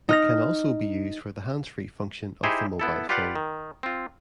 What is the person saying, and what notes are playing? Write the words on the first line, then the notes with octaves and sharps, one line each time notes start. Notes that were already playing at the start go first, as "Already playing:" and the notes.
It can be also used for the handsfree function of the mobile phone.
D#4 F6 A#6
D#4 E4 G4 G#4 C5
B3 E4 A4
F4 G4 B4 D5 F5 F#5
D#3
C4 F4